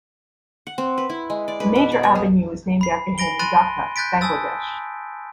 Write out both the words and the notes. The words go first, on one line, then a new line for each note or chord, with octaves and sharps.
A major Avenue is named after him in Dhaka, Bangladesh.
F#5
C4
B4
E4
G#3
D5
B4
B2
D5
C#5
G#4
B5 C7
G#5 B5 A#6 D7 G7
B5 C6 F#6 A6 D#7
F#6 G6 A6 B6 D7
G#5 A5 D#6 E6 A6